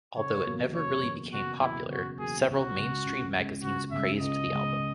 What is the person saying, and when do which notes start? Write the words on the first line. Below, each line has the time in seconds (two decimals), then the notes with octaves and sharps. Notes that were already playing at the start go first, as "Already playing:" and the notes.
Although it never really became popular, several mainstream magazines praised the album.
0.16 F#1 C#5
0.46 E2 B2 F#3 A#3
0.74 F#1 C#5
1.03 E2 B2 F#3 A#3
1.32 F#1 F#4
1.61 E2 B2 F#3 A#3 E4
1.90 F#1 F#4
2.18 E2 B2 F#3 A#3 G#4
2.47 C#2 F#4
2.76 C#3 G#3
3.05 C#2
3.34 C#3 G#3
3.63 C#2 F#4
3.91 C#3 G#3 E5
4.20 C#2 D#5
4.49 C#3 G#3